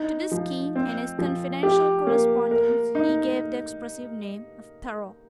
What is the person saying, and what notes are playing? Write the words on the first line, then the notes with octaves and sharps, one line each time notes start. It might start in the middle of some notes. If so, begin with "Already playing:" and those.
To this scheme, in his confidential correspondence, he gave the expressive name of Thorough.
Already playing: D#4
F3
C4
F3
G4
A#3
A#4
D#4